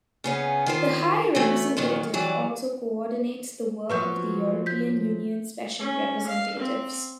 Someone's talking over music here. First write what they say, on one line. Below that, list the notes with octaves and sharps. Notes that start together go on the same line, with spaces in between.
The High Representative also coordinates the work of the European Union Special Representatives.
C#3 B3 C#4
D#3 F4 C5
E3 F#3 A3 B3
F2 A#2 D#3 F#3
E3 F#3 G3
F3 F#3 B3 B4 C#6 G6
G6 B6
C#4
F5
C4